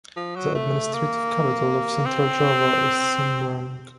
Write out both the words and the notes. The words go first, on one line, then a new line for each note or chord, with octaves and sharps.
The administrative capital of Central Java is Semarang.
F3
F#3
A3
A#3
C4